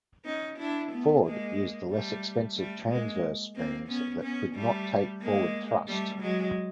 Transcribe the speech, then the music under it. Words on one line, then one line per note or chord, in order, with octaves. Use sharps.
Ford used the less expensive transverse springs that could not take forward thrust.
C#4 D#4
D4 E4
A3 B3
G#3 A#3
G3 A3
G3 A3
G#3 A#3
A#3 C4
B3 C#4
B3 C#4
G3 A3
G#3 A#3
G3 A3
F#3 G#3